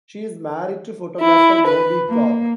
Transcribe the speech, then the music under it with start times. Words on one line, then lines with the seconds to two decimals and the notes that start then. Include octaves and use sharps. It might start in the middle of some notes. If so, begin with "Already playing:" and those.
She is married to photographer Nobby Clark.
1.18 E4
1.65 B4
2.10 A#3